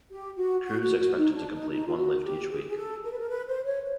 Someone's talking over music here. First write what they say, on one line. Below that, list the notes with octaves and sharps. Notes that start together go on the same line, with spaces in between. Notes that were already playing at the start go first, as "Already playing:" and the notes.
Crews expected to complete one lift each week.
G4
F#4
F#4
F#4
F#4
D#4
D4
D#4
D#4
F4
F#4
G4
G#4
G#4
A4
A#4
B4
A#4
B4
C5
C#5